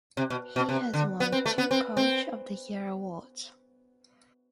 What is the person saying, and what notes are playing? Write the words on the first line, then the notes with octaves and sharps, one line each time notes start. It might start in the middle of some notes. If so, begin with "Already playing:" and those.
He has won two Coach of the Year awards.
C3
B2
B2
C3
D3
B3
C4
A3
B3
C4
C4